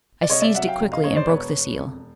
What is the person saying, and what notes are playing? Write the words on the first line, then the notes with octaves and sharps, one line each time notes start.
I seized it quickly, and broke the seal.
D5
C2 C#5 D#5
D5 E5
F#3 E5 F#5
F5 G5
F1
D#5 F5
F1 C#5 D#5
C5 D5
E1 B4 C#5
E1
F2